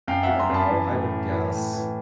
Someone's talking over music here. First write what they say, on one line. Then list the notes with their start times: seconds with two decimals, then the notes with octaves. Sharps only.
I don't know, I would guess
0.08 F#2 F5 G5
0.23 E5 F#5
0.29 F#2
0.39 A#5 C6
0.50 F#2 A5 B5
0.70 E3
0.91 A2
1.12 E3
1.32 E3
1.53 A2
1.73 E3